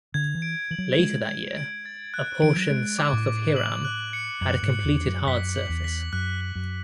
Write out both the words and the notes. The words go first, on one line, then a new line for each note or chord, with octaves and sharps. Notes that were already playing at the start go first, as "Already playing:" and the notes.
Later that year, a portion south of Hiram had a completed hard surface.
D3 G#6
E3
D7
E3 F#7
F#3
G#3 D7
G#6
D7
A6
F#6
E3 D7
F#3
G#3 D7
D6
A2
D6
F#7
F#6
C#7
F#2 F#7
G#2
C#7
E2
C#7
F#2
F#2 B6
F#7
E2
B6
F#2 F#6
F#6
F#2